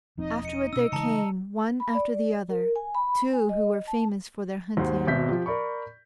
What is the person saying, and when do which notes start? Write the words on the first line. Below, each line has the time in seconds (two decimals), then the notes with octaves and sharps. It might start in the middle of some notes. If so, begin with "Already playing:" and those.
Afterward there came, one after the other, two who were famous for their hunting.
0.17 E1 F3 C4 D#4 D#5
0.45 C#7 D#7
0.73 B2 C#4 E6
0.92 C#3 E3 G#3 A5 A#5 C#7
1.80 B5
1.95 D5
2.50 A#4
2.76 G#5
2.95 B5
3.33 G#5
3.49 D#5
3.87 A5
4.77 D#2 G#2 F#4 C5
5.07 G#1 B2 E5 G6 B6
5.29 F3 F4 G4
5.46 A#4 D5 B5 C#6